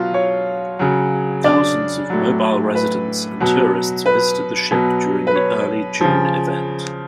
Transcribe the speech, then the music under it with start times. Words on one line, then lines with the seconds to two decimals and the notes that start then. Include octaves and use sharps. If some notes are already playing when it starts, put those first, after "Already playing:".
Thousands of Mobile residents and tourists visited the ship during the early June event.
Already playing: B2 F#3 F4 F#4 F5
0.14 C#5
0.79 C#3 F#3
1.44 D4 D5
2.10 A2 F#3
2.75 B4
3.40 B2 F#3
4.06 B4
4.71 B2 F#3
5.27 B4
5.36 C#5
6.01 C#3 F3